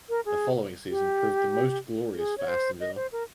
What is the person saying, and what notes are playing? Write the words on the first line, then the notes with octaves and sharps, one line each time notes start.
The following season proved the most glorious for Aston Villa.
A#4
G#4
G4
G#4
C#5
C5
D#5
C5
A#4